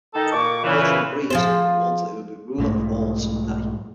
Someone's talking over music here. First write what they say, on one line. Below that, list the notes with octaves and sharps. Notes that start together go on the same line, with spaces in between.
Ultron agrees, but warns that he will be ruler of all someday.
D#3 D#4 A4
A#2 C#6 D6
A#2 C#3 E3
F3 G#4 C5
B1 G#2 A3